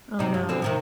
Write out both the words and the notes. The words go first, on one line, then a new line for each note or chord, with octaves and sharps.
Oh, no.
C3 D#4
G2
B2 D3 C4
C3 D#3 F3